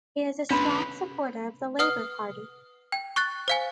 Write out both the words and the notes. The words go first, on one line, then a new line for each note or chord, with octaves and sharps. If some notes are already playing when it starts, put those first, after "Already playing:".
He is a strong supporter of the Labour Party.
C#4 D4 B4 B5 C6
B4 F#5 D#6 F6
G5
C#6 F#6 A6
C5 F5 G#5